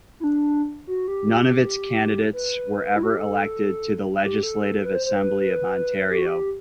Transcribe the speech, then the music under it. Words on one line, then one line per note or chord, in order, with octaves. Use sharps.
None of its candidates were ever elected to the Legislative Assembly of Ontario.
E4
D4
F#4
G4
B4
E4
F#4
G4
A4
G4
A4
B4
C5
C5
B4
G4
F#4
G4